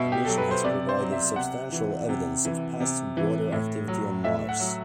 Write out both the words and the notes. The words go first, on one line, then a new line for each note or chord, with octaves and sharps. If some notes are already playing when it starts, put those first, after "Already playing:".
The mission has provided substantial evidence of past water activity on Mars.
Already playing: B2 E5
G4
F#3 A4
B4
C5
C3 D5
C5
F#3
E5
C3 F#5
E3
C3
E3
C3
E3
A2
F#3
A2 E5
F#5
F#3